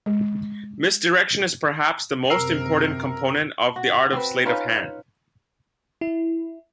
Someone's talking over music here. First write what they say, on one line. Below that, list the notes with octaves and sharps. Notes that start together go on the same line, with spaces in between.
Misdirection is perhaps the most important component of the art of sleight of hand.
G#3
F#2 C3 A#4 E6 C7
F#4
C4 B4
C#4 D#4 F4 B4
E4